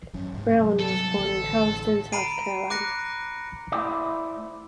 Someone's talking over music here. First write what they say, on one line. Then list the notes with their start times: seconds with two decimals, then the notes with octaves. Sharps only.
Brown was born in Charleston, South Carolina.
0.13 G#1 F#2 C#4
0.32 C2 G#2 C#3
0.59 C3 F#3 G3
0.79 A4
1.16 A1 D3 A3
2.12 A#5 B5 C7 D7 D#7
2.70 D6 F#6 A#6 C#7
3.72 A3 E4 C5 D5